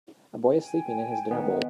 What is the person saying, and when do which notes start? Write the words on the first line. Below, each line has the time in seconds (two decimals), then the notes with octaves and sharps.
A boy is sleeping in his dinner bowl.
0.61 G5 G#5
1.31 D#3 B3